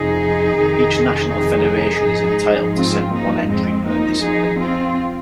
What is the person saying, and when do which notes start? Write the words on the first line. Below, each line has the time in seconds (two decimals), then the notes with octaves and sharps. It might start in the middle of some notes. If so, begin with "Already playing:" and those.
Each national federation is entitled to send one entry per discipline.
Already playing: F2 C3 F3 D#4 G#4
0.56 F2 C3 D#3
1.29 D#4 G#4
2.03 G#2 F3
2.76 C4 F4
3.13 A#3 D#4
3.49 F2 F3 G#3 C4
3.86 A#3 D#4
4.23 D#4 G#4
4.59 C4 F4